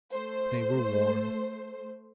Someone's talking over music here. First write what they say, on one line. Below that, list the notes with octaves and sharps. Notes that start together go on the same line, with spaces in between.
They were warm.
A3 C5